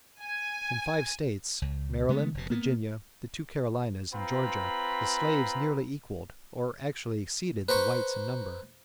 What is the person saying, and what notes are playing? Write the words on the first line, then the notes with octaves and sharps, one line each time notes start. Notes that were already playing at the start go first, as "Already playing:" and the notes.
In five states--Maryland, Virginia, the two Carolinas, and Georgia--the slaves nearly equalled or actually exceeded the whites in number.
G#5
C#2
C#3 G#3 A3 B3
F1 B2
A#3 B3
C4 F4 B4 A#5 B5
B4 C5 A#5 C#6